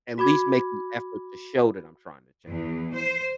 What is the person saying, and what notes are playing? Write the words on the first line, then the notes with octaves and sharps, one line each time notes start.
At least make the effort to show that I'm trying to change it.
F#4 B5 D6 G#6
E2
C5